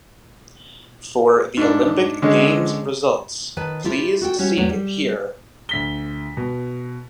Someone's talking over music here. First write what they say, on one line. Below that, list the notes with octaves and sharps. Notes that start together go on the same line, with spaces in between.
For the Olympic Games results, please see here.
G#2 D4
D3 G#3 C#4
D#3 B4 A5
E4 F4 G4 A4
F#4 A4 G5
G3 C#4 F#4
E2 A2 F#3 A3 C4
G3
D2 B6 G7
B2